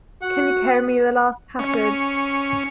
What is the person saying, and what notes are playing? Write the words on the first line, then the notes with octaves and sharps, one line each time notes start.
Can you carry me the last passage?
F#4 F#5
C#4